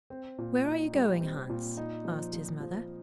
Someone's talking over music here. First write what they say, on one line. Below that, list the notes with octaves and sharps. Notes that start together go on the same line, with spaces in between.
'Where are you going, Hans?' asked his Mother.
C4
A#2
D#4
G3
C4
A#2
D#4
F3
F3
F3